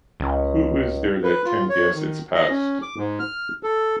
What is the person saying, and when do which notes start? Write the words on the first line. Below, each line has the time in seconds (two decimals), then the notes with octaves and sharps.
Who is there that can guess its past?
0.20 C#2
1.24 B4
1.45 F4
1.69 C#5
1.94 D#3
2.35 D#5
2.50 C#4
2.82 D6
2.97 G#2
3.19 F6
3.63 A4